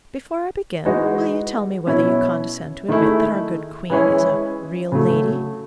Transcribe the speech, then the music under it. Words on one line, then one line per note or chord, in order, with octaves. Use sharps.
"Before I begin, will you tell me whether you condescend to admit that our good Queen is a 'real lady'?"
E3 G#3 D#4 F#4
B2 F#3 C#4 E4
D#3 A3 E4 G#4
E3 G#3 C#4 E4 G#4
C#3 F#3 A3